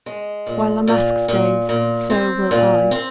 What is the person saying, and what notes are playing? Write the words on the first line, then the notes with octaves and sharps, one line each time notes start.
"While La Masque stays, so will I."
G#3
A#2
A#2
A#2
A#2
C4
A#2
C4